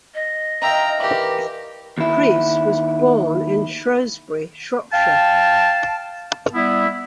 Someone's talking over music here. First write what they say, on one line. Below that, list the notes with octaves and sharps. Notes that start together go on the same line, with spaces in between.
Preece was born in Shrewsbury, Shropshire.
D#5
D#4 E5 F5 G5 A#5
D#3 E3 G4 D5
D#2 E4
F5 G5 A5
G3 B3 E4